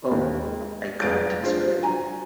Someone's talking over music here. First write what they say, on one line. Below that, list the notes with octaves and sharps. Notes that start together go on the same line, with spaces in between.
Oh, I can't explain.
D#2
G#3
F1 G#4 B4 F5 A6 D7
D4 F4 G#4 C5
F#4 G#5 A#5